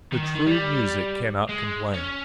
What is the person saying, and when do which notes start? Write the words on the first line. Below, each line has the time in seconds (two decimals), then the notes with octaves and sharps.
The true music cannot complain.
0.13 D#3
0.24 D#3
0.35 D#3
0.47 G3
1.49 G#3
1.94 C#4